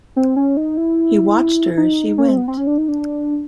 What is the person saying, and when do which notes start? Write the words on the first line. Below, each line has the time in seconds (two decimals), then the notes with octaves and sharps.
He watched her as she went.
0.16 C4
0.36 C#4
0.57 D#4
0.77 E4
1.77 D#4
2.18 C#4
2.28 C4
2.37 B3
2.48 C4
2.57 C#4
2.67 D4
2.78 D#4
2.88 D4